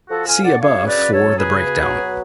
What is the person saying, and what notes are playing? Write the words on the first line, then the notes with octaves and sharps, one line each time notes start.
See above for the breakdown.
F3 F#4 A4
F2 F5 G#5
D3 D5 F#5
F#2 C#5 F5
C#3
B4 D5
F#2
F#3 A4 C#5
F#2
G#4 B4
C#3
B2
F#3
B2